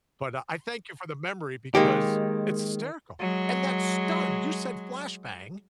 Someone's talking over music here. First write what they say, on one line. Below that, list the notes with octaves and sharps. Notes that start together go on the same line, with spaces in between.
But, uh, I thank you for the memory because it's hysterical, and that stunned, you said, "flashbang"
D#3 G#3 A#3 G4
F#3 G#3